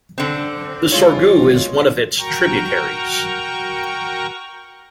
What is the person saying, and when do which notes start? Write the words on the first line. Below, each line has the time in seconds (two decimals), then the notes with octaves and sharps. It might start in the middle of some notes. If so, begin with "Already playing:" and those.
The Sorgue is one of its tributaries.
0.18 D3 C4
0.92 G#3 F4 C#5
2.18 F#4 A#4 G5 A#5 C#6